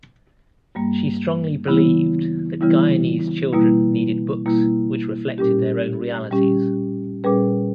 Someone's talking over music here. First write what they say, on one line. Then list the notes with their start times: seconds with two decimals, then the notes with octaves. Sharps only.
She strongly believed that Guyanese children needed books which reflected their own realities.
0.75 G2 G3 A#3
1.67 C#3 E3 G3 B3 E4
2.61 C#3 E3 G3 B3 E4
3.53 B2 G3 A#3 E4
4.46 B2 G3 A#3 E4
5.38 A#2 G3 C#4 G4
6.30 A#2 G3 C#4 G4
7.24 A#2 G3 C#4 G#4 B4